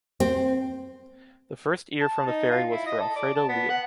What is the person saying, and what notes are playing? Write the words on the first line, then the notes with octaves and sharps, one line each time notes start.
The first ear from the fairy was for Alfredo Leal.
C4
A5
D#4
F4
E4
D#5
A4
D5
A5
B3
F#5